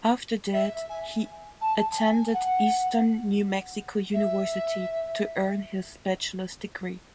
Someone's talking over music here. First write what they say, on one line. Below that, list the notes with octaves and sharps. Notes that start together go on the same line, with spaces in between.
After that he attended Eastern New Mexico University to earn his Bachelor's Degree.
E5
G#5
A5
G#5
F#5
E5